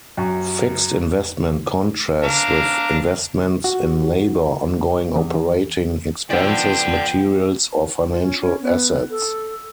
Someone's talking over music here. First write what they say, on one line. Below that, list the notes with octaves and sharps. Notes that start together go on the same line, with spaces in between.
Fixed investment contrasts with investments in labour, ongoing operating expenses, materials or financial assets.
F#2
D4 F5 A#5
F#4
E2
F3 B3 D4 D5 F#5 G5
F4
C#4
C#4
B3
A4